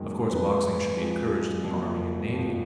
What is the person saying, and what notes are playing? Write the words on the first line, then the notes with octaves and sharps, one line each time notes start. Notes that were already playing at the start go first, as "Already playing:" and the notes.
Of course boxing should be encouraged in the army and navy.
Already playing: F#1 F#2 D#3 G#3
F2 F3 G#3 B3
F2 F3 G#3
F#1 F2 F3
F#1 F2 F3